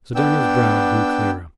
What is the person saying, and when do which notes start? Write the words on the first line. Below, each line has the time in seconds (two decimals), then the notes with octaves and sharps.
Sir Daniel's brow grew clearer.
0.15 B3 D4 G5 E6